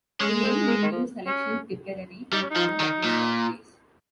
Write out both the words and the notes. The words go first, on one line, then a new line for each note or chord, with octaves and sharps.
They named their new selection Tipperary in honour of their birthplace.
G#3 C#4
C4
A#3
D#3
F3
C#4
G3 D#4
C#4
D#4
F3
D#3
A#2